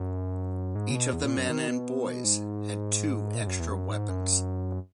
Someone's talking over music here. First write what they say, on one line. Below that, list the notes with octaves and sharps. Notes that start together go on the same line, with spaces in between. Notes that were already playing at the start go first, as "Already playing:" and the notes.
Each of the men and boys had two extra weapons.
Already playing: F#2
G#2
C#3
B2
E2
A#2
F#2
D#3
B2
G#2
A#2
G#2
F#2
E2
F#2
G#2
F#2